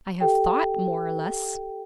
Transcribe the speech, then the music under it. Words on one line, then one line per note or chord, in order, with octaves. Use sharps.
'I have thought more or less.'
G4 A4 G5